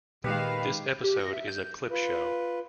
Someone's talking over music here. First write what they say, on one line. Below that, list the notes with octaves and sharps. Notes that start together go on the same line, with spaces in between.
This episode is a clip show.
A#2 D#3 G#3 G4 B4 F5
G4
A#6
E5
G6
F4 B4